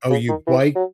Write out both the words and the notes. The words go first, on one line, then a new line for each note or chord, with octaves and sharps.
Oh, you bi
C#3
D#3
E3
F#3